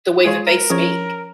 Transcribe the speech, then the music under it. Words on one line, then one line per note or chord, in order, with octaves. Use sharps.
the way that they speak.
G#3 F4 G#4 C#5
A#4
F3 C#4 G#4 C#5